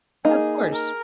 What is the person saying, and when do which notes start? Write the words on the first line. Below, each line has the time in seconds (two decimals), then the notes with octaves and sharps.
Of course.
0.25 A#3 D#4 G#4
0.72 A#4